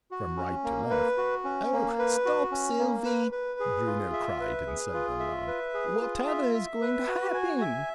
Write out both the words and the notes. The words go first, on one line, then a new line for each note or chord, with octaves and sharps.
From right to left--"Oh, stop, Sylvie!" Bruno cried in sudden alarm. "Whatever is going to happen?"
F#4
C#4
A#3
B4
F#4
C#4
A#3
B4
F#4
C#4
A#3
B4
B4
G#4
F4
E5
B4
G#4
F4
E5
B4
G#4
F4
E5
E5
B4
F#4
G#5
E5